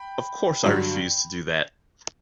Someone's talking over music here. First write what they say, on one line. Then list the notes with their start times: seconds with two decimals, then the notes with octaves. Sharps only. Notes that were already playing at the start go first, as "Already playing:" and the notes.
Of course I refused to do that!
Already playing: G5 B5
0.63 G2 D3 F#3